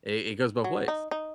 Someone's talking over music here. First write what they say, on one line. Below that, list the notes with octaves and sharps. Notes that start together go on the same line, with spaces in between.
It it goes both ways,
F#3
D#4
D#4